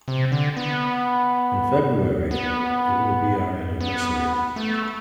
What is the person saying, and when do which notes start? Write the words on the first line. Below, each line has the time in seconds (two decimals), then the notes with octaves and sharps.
In February it will be our anniversary.
0.08 C3
0.32 D3
0.57 B3
2.31 B3
3.81 B3
4.56 A3